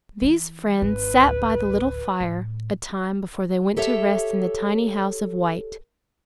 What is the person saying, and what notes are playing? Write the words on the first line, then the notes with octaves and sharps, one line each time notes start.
These friends sat by the little fire a time before they went to rest in the tiny house of white.
E3 E4
G#1 B4
A1 D2
A2
G4 A4 C#5 E5